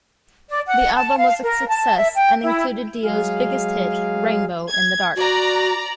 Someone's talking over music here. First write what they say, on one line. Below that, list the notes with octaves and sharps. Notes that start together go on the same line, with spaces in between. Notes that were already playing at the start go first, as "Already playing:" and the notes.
The album was a success and included Dio's biggest hit, "Rainbow in the Dark".
D5
F#5
A5
F5
A#4
A5
E5
G5
E4
F#3 G#3 G#4 F5
G#6
F#4 D5 A#5